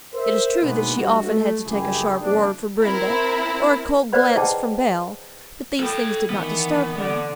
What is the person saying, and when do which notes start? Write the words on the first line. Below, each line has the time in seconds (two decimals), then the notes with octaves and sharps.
It is true that she often had to take a sharp word from Brenda, or a cold glance from Belle, but these things did not disturb her.
0.14 A#4 C5 E5
0.62 G#2 B2 D3 G#3 A#3 B3
0.97 G1 F#4
1.26 A3
1.66 G1 F#2 C#3 E4 G4 G#4
2.21 F#1 F#2 G#3 D4
2.81 C4 E4 A#4
4.13 B4 C5 D5 F5 F#5 B5
4.36 E4 G#4 D#5 F#5 G5 A5
5.80 A4 G5
6.30 D#3 E3 B3
6.96 D3